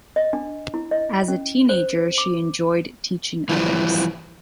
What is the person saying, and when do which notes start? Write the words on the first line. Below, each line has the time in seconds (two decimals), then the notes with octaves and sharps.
As a teenager she enjoyed teaching others.
0.16 D#5
0.33 D4
0.74 E4
0.91 D#5
1.28 C#4
1.69 C5
2.18 D6
3.49 E3 F3 G3